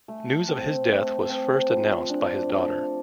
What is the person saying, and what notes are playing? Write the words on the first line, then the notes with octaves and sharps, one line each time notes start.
News of his death was first announced by his daughter.
A3
C4
A3
C4
F3
D4
A4